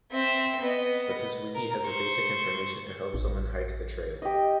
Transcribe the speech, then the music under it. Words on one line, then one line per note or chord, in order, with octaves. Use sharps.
But this wiki has the basic information to help someone hike the trail.
C4 E5
B3 D#5
A#4
C5 C#6
A1
G4 D#5